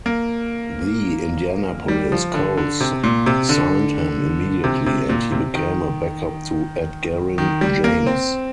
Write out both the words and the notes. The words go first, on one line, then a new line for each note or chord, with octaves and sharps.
The Indianapolis Colts signed him immediately, and he became a backup to Edgerrin James.
A#3
G3
F3
D3
D3
C3
A#2
C3
D3
C3
C3
A#2
C3
D#3
D#3
G3
A#3
C4